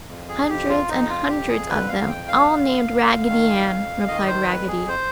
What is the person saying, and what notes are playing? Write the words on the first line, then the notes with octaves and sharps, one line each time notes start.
"Hundreds and hundreds of them, all named Raggedy Ann," replied Raggedy.
F2
G#4
F2 G4
F4
F2 D#4
F4
F2 G4
G#4
D3 B4
F5
F2 G5
F5
D3
D3
D#3
F2
D#3 D#5
C5
F2 B4
G#4
C5